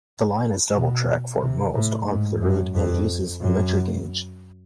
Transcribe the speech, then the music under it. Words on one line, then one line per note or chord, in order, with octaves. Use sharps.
The line is double track for most of the route and uses Metre Gauge.
B2
C3
A2
G#2
F#2
F2
F#2